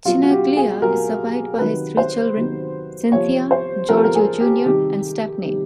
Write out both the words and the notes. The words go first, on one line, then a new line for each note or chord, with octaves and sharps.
Chinaglia is survived by his three children, Cynthia, Giorgio Junior and Stephanie.
B2 F#3 F4
F#4
G4
G#4
B2 F#3 A#4
A#4
C3 D#3 F#3 B4
C5
C3 D#3 F#3
C3 F3 C#5
C5
C3 F3 A#4
A4
A#4
G#4
G4
C3 D#3 G3 G4
C3 D#3 G3